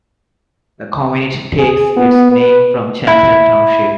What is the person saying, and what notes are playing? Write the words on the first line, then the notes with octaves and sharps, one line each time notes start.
The community takes its name from Champion Township.
G#4
B3
B4
E4